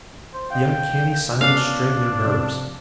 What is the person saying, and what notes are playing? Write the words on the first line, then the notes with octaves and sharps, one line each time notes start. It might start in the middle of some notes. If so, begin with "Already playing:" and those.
The uncanny silence strained their nerves.
C5
D#5 F5 G5
B3 C#4 D4 F#4 F5
C3 F3 D5